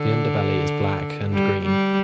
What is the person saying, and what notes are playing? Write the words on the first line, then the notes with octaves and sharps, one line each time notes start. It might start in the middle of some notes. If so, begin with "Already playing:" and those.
The underbelly is black and green.
Already playing: D3
G3
G3